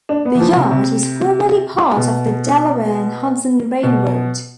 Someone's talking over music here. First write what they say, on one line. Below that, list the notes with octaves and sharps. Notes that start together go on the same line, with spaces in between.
The yard was formerly part of the Delaware and Hudson Railroad.
D4
B3
E3
F3
C3
C3
B2
B2